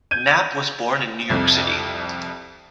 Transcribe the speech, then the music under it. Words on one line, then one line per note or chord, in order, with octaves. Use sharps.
Knapp was born in New York City.
G6 G#6 D#7
C2 F2